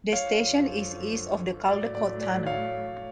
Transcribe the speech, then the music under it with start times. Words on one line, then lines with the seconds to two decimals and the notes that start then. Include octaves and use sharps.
The station is east of the Caldecott Tunnel.
0.13 F#2 D3 F3 C#5 F5
1.68 A2 F#3 A3 D5
1.95 D5
2.21 D5
2.46 C#5 F5